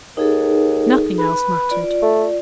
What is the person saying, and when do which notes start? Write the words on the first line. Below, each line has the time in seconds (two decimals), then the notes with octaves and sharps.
Nothing else mattered.
0.17 D#2 D#4 G#4 A4
1.18 B4
1.71 F4 D5
2.02 A3